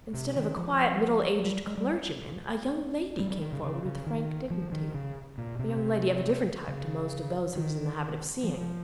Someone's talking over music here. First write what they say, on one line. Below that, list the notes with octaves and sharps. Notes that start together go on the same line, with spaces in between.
Instead of a quiet, middle-aged clergyman, a young lady came forward with frank dignity,--a young lady of a different type to most of those he was in the habit of seeing.
C3
D#3
F3
G3
G#3
G3
G3
G3
D#3
C#3
C#3
C#3
D#3
F3
D#3
C#3
A#2
C3
C#3
D#3
F3